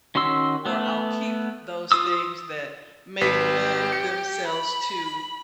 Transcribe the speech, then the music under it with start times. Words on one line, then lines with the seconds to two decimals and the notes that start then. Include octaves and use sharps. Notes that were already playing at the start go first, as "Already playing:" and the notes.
or I'll keep those things that may lend themselves to
0.15 D#3 C#4 F#4 C6 E6
0.65 A3 B3
1.92 F4 D#6 E6
3.21 G#1 G4 B4 B6
3.92 C#7
4.47 B5